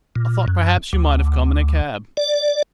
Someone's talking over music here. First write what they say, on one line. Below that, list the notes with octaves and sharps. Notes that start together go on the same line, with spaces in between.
I thought perhaps you might have come in a cab.'
A#2
F#2
D2
D5